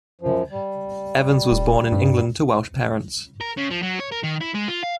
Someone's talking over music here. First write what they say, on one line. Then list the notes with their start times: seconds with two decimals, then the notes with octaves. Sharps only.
Evans was born in England to Welsh parents.
0.21 F#2 F3
0.51 G3
1.51 D#1
1.92 G2
3.41 A#4
3.57 C#3
3.70 F3
3.82 F#3
3.99 C#5
4.12 A#4
4.23 D#3
4.41 E4
4.54 G#3
4.68 F4
4.83 F5